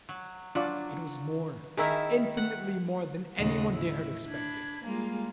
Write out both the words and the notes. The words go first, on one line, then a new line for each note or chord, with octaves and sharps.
It was more, infinitely more, than anyone there had expected.
F#3
F#3 D4 F4 D5
D#3 E4 G#4 A#4 E5
F#5
D#2 A#2 C#3 G#3 D#5 F#5
A2 E4
D4 B5 G#6
G3 G#3 A#3 F4 G#4